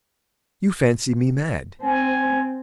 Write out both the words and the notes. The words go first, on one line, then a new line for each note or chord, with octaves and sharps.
You fancy me mad.
C4 G#5